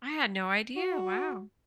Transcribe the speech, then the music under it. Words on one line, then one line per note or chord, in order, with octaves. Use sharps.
I had no idea, wow.
F#4